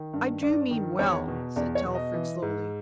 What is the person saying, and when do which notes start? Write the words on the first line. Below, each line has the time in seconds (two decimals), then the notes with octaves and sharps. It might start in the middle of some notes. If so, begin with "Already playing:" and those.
"I do mean well," said Telford slowly.
Already playing: D#3
0.13 G2
0.42 G2 D5
0.71 D#3
0.99 E2 C#5
1.28 B2
1.56 E2 D5
1.75 C#5
1.85 B2
1.95 D#5
2.13 E3
2.42 G#2